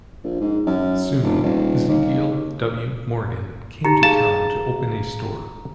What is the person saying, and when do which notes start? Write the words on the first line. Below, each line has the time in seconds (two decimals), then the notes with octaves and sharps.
Soon Ezekiel W. Morgan came to town to open a store.
0.24 A#1
0.40 G#2
0.66 F#2
1.23 F1
1.43 D#1
1.88 D#2
3.85 D#4 G4 A#5 C#7
4.03 G#4 F5 A5